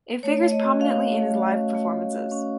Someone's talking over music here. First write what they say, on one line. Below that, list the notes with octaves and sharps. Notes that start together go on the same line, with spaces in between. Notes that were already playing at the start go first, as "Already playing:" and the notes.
It figures prominently in his live performances.
A3 C#5
A3
D#5
F#4
C#4 F5
A3
A3
F#4
C#4
A3
A3
F#4
C#4